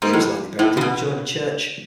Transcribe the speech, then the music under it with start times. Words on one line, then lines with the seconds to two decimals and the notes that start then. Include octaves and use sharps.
He was likely buried in the adjoining church.
0.02 G#2
0.13 A2
0.59 A2
0.77 C#3
0.81 B2